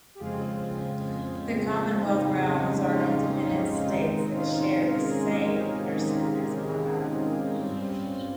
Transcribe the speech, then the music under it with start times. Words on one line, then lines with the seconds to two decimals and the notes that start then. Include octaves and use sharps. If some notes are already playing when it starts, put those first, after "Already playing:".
The Commonwealth realms are independent states that share the same person as monarch.
0.15 G4
0.19 F2 C#3 G#3 C4 F4 G#4
2.03 D#4 G4
2.49 C#4 F4
2.89 D#4
2.96 C#4 F4
3.31 C#4
3.42 D#4
3.79 F4
3.87 C3 D#3 G#3 C4 D#4
4.34 C#4 F4
4.80 G#4
4.87 A#4
4.95 G#4
5.04 A#4
5.11 F4 G#4
5.25 D#4 G4
5.54 C#4
5.62 D#4
5.71 C#4 F4
7.56 G2 G3 C4